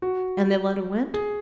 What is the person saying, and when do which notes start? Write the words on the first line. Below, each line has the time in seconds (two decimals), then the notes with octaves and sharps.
And the letter went?'
0.02 F#4
1.14 G#4